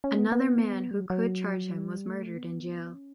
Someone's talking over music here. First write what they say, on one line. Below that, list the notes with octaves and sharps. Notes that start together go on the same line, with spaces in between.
Another man who could charge him was murdered in jail.
C#4
B3
B3
G3
F#3
F#3
G3
A3
B3
C#4